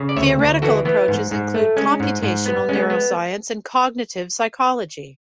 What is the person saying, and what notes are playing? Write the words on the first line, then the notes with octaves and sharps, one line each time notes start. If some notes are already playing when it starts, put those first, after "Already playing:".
Theoretical approaches include computational neuroscience and cognitive psychology.
Already playing: C#3
D5
D2 C#5 E5
D2
E3 F#4 A4
E3 B3
G#2
G#2
A3
G#3 C#4
G#2
G#2
B3
G#3 C#4
B3
B3